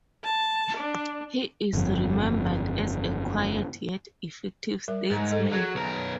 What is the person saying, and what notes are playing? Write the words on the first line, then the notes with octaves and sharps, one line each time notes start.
He is remembered as a quiet, yet effective statesman.
A5
D4
G1 F2
G3 A#4 E5
G#2
A4 D#5
F#3 G#4
B1 A#4